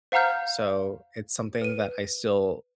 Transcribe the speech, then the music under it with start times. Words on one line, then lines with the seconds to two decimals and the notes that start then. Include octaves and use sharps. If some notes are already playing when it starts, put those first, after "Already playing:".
So, it's something that I still
0.12 C5 F5 F#5 A#5 F6 G6
1.61 B4 D#7